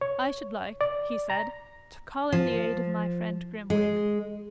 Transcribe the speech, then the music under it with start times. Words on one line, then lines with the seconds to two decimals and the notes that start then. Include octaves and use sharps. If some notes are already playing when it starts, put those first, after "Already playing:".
'I should like,' he said, 'to call in the aid of my friend Grimwig.
0.01 C#5
0.81 D5
1.30 A#5
2.32 F3
3.70 G#3